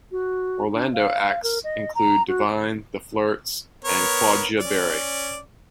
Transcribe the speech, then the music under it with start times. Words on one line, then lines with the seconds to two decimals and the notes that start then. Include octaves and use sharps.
Orlando acts include Divine, The Flirts, and Claudja Barry.
0.12 F#4
0.74 D4
0.93 F5
1.43 A#4
1.64 D#5
1.95 A#5
2.28 F#4
3.85 B3 A#4 C#5
4.60 C#4 D5